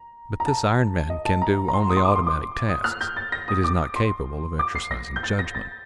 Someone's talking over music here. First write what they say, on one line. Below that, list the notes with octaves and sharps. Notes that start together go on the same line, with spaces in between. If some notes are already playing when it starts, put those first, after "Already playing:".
But this iron man can do only automatic tasks; it is not capable of exercising judgment.
Already playing: A#5
A#5
A5
D#5
A5
A#5
A#5
C6
D#6
C6
D6
C6
D6
D#6
F6
G6
A6
A#6
D#6
D6
C6
D6
C7
A#6
G6
A6
A#6
A6